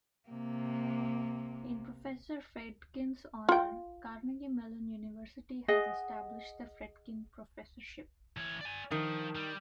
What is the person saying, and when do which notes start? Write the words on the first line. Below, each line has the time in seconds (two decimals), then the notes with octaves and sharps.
In Professor Fredkin's honor, Carnegie Mellon University has established the Fredkin professorship.
0.28 C3 A#3
3.49 F4 G5
5.68 G#4 D#5 F#5
8.37 E3 C#5
8.61 D5 G#5
8.91 D#3 F3
9.35 G3